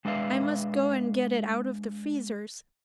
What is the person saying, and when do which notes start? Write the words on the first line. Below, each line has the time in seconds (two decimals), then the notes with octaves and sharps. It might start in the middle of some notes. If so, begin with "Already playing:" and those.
I must go and get it out of the freezers.
0.05 G#3 D4 B4 E5 F5